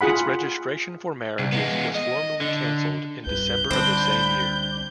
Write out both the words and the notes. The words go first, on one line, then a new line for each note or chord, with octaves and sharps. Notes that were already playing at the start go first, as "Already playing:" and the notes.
Its registration for marriages was formally cancelled in December of the same year.
F4 G#4 F#5 B5
C2
G#3 B3
D#5
D3
C#2 G2 B4 G6
C#2 D3 G3 C4 D4 B5